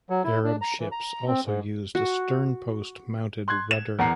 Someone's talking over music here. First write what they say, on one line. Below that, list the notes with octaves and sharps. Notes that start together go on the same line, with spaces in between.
Arab ships also used a sternpost-mounted rudder.
F#3
E4
D4
A#5
E3
A#5
C4
G#2
F#4
C6 F#6 G#6
E7
E2 A#4 F#5 A#5 C7